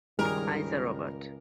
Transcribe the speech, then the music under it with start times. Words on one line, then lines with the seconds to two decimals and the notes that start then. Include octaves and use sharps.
Eyes are ovate.
0.19 C#2 G2 D#3 G3 G#4 A#4